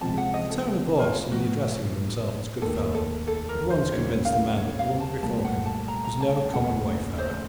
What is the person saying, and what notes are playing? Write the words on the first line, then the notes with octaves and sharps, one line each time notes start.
The tone of voice, and the addressing of himself as good fellow, at once convinced the man that the woman before him was no common wayfarer.
C#2 C3 F3 C4 A5
F#5
D#5
A4
F4
A1 A2 F3 F#4
F1 D#2 D#3 A#3 A4
A4
A4
A#4
C5
D#2 C#3 F#3 A#3 D#4 C#5
F5
C#5
F5
A5
C2 A#2 A3 A5
F#5
A5
A#5
A#5
A5
A5
F1 D#2 C#3 A3 C#4 F#5
C5